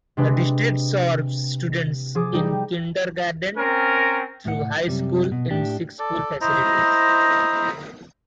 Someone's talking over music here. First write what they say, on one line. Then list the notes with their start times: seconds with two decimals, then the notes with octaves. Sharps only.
The district serves students in kindergarten through high school in six school facilities.
0.17 C3 G#3 D4 B4
2.15 F3 G#4 D6 D#6
2.33 G3 D#4 G5
3.57 C4 C#4 A#4
4.45 A2 F#5
4.87 F#2 C3 G3
5.32 B2
5.51 A2 D4 G4
5.99 A4 D5
6.41 E4 C5 D#5 A#5